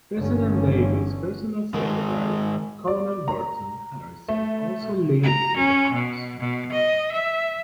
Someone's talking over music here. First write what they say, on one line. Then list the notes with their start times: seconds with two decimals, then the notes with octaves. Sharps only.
President Davis' personal secretary, Colonel Burton Harrison, also lived in the house.
0.16 G1 G2 D3 E3 C#4
1.74 D#3 G#3 A#4
2.88 D5
3.28 A#5
4.28 A3
5.23 A#5
5.56 C#4
5.93 B2
6.40 B2
6.72 D#5
7.12 E5